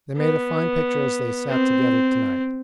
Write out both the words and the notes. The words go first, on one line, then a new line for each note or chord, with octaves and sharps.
They made a fine picture as they sat together to-night.
B3
C4